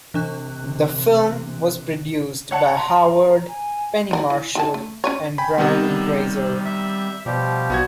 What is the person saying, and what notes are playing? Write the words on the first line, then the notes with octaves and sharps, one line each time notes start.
The film was produced by Howard, Penny Marshall, and Brian Grazer.
C3 E3 D4 F#6
C#5 D5 F#5 A5
A#5 C6
C#5
G#5
D#3 D4 A#4
E3
D#3 G#4 A5
A3
C#4 B4 C#5
G5 G#5 B5
C3 D#3 G3 B3
E5
B2 F3 G3 G4
B1 B3 F#4 G#6